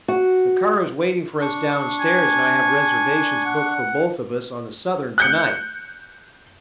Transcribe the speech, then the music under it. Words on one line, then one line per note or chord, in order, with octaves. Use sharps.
A car is waiting for us downstairs and I have reservations booked for both of us on the Southern to-night.
F#4
D4 C#6
G#5
F#5
F#6 G6 C#7